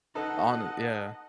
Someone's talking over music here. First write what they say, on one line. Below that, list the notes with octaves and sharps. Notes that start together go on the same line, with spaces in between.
On it, yeah.
D#4 A4 B4 D#5 F#5